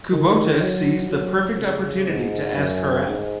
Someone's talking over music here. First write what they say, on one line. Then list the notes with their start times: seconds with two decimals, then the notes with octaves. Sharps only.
Kubota sees the perfect opportunity to ask her out.
0.12 D#3
0.61 F#3
1.10 F#3
1.59 C#3
2.08 G#2
2.57 F#2
3.07 G#2